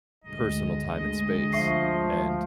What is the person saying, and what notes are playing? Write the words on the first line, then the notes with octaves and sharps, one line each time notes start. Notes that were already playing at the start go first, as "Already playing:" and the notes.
personal time and space, and
G1 D2 G#3 D#5
F3 E5 C#6 C7